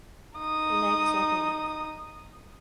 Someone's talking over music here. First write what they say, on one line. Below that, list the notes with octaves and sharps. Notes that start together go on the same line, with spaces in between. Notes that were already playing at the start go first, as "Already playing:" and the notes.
Legs are black.
D#4 D#6